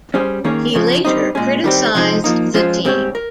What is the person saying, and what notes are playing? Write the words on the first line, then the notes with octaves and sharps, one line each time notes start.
He later criticised the team.
G3 C#4 G#4 C5
D#3 A#3 C#4 G#4 C#5
F2 C#3 F3
G2 G3 C4 D#4
A#2 G#3 C#4 G#4
D#3 G3 C4 G4
C3 F3 G#3 C4 D#4
F3 A#3 D#4
F3 G#3 C#4 F4 C5
G#2 G3 C4 G4 C#5
A#4